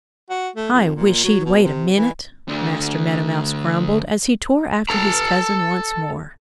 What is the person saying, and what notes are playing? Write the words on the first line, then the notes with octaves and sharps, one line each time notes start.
"I wish he'd wait a minute," Master Meadow Mouse grumbled as he tore after his cousin once more.
F#4
A3
F2
A#2
F#3
B2
C3
E3
D2 D3
A4 A#5